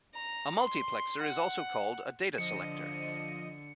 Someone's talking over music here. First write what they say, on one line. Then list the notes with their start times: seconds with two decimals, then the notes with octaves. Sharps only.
A multiplexer is also called a data selector.
0.15 A#5
0.59 C6
1.22 F#5
2.38 D3 F3 D#5 C#7 D#7